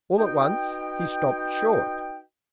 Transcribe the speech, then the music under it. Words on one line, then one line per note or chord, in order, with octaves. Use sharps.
All at once, he stopped short.
D#4 F#4 B4 D#5 G5